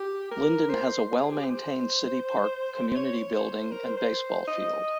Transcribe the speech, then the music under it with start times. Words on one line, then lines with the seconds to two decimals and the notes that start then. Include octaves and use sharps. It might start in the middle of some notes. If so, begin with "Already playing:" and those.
Linden has a well maintained city park, community building, and baseball field.
Already playing: G4
0.31 A#4
0.69 C5
1.19 G#4
1.32 G4
1.44 C5
2.96 C#5
3.33 C5
3.71 A#4
3.85 C5
3.97 C5
4.47 D#5